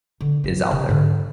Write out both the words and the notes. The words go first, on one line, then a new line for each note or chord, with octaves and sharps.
is out there.
D3
E3 F#3
C3 C4
G#2 D3